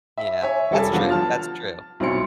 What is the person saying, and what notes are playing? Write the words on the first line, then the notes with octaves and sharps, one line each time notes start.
Yeah, that's true, that's true.
E5
C#5 E5 G#5
F1 G3 C#4 A4 A5
F3 F#3 B3 D4 F4 F#4
A5 F6 A6
B1 B2 C4 E4 C6 C#7